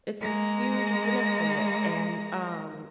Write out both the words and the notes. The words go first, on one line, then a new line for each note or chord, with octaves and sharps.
It's a huge benefit. And, um,
G#3 A#3 A#6